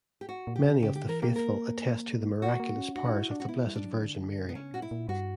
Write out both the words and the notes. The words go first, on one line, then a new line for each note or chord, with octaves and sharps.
Many of the faithful attest to the miraculous powers of the Blessed Virgin Mary.
G4
F#4
A#2
D3 G4
C#3
C#3 G4
D3 G4
E3 A#4
A#3 G4
A#4
F#4
A#3
C#4
D4 F#4
D4
E4
D4
C#4 F#4
B3 E4
G3
D4
F#3
D3
B2 B3
C#3 C#4
A#2 F#4
E4
A#2
G2 F#4